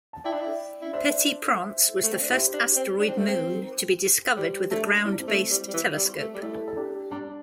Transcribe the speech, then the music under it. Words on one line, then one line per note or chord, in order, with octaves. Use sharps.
Petit-Prince was the first asteroid moon to be discovered with a ground-based telescope.
A5
E4 D5 G5
D4
E4
E4
D4 C5 E5
A3
C4
D4
E4 G4 C5
D4
C4
D4
C4
A3
C4
G3 G4 C5
A3 D4
G3 E4
D4
C4 E4
A3
G3
G3
E3
G3
A3
G3
A3 E4 A4
A4
D4 G4
G3 D4